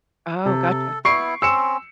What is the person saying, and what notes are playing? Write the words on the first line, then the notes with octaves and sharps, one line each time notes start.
Oh, gotcha.
C3 A4
B3 E4 C#6 C7 D7
C4 C#4 E6 C#7 E7